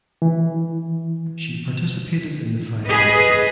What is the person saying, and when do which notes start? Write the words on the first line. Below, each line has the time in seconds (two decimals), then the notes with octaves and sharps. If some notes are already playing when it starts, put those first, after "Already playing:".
She participated in the final audition.
0.22 E3
2.85 G#4 B4 D#5